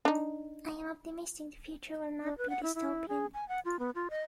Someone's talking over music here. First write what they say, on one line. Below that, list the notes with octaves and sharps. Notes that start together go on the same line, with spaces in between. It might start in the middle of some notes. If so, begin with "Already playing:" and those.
I am optimistic the future will not be Dystopian.
D4 D#4
D4
B4
F#5
E4
E4
G#4
G#5
F#5
F4
B3
F4
D#5